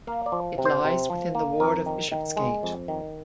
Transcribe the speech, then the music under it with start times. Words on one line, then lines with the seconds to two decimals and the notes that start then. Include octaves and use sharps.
It lies within the ward of Bishopsgate.
0.07 A#3 F5
0.26 D5
0.32 F3
0.58 C3
0.65 C5
0.84 C3
1.10 F3
1.35 A#3
1.60 F2 A#4
1.86 D#3
2.12 D#3
2.37 G#3
2.63 F2
2.88 D#3